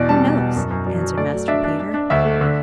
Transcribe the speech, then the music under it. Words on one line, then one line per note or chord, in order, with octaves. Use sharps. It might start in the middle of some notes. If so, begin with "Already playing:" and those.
'Who knows?' answered Master Peter.
Already playing: E2 B2 D5
G3 A5
B2
B2
F#2
F#2
F#3 D5
F#3
A3 D5
F#3
D4 E5
D4
D4
D4
D2 E5
A3
D3